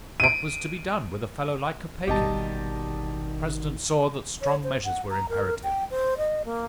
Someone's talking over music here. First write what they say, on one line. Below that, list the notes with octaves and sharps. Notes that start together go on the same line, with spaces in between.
What was to be done with a fellow like Kopeikin? The President saw that strong measures were imperative.
D7 D#7
G#1 B2 D#3 G3 G4 D#5 A5
C#5
C5
F#5
A#5
A#4
G5
C5
D#5
A#3